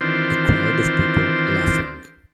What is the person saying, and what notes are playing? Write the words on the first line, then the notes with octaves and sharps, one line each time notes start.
A crowd of people laughing.
D#3 E3 C4 D4 F4 C5